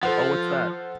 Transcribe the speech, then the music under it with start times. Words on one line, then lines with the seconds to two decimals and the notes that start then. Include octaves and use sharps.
Oh, what's that?
0.03 F3 A4 C5 F#5